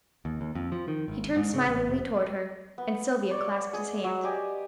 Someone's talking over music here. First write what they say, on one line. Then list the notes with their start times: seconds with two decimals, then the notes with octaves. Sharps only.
He turned smilingly toward her, and Sylvia clasped his hand.
0.25 D#2
0.41 D#2
0.55 F2
0.72 F3
0.88 D#3
1.08 G#1
1.36 G#2
1.53 C#3
1.67 A1
1.87 F1
2.78 B3
3.30 C#5 D5
3.73 G#4 D#5
4.04 F#3
4.24 G4 D5 D#5 G#5